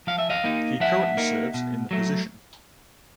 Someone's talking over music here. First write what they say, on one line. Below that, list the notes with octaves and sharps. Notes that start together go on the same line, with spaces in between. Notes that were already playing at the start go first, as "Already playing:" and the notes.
He currently serves in the position.
F3 F5
E5
D#5 F5
A#3 D#4
F3 E5 F#5
A#3 D#4
B2
F#3 A3